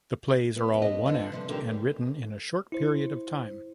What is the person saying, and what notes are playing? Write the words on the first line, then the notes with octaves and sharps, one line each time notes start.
The plays are all one-act, and written in a short period of time.
B3
F2 C3 D#5
D3 D4
G2 C3 F3
D3 D#3 G4
E4 C5